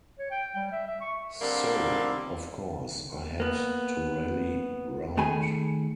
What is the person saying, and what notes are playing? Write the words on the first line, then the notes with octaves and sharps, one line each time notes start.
So, of course, I had to rally round.
C#5
G5
G3
E5
E5
C#6
D3 G3 A#3 C4
A#3 B3
D#3 A3 G#4 G#5 B5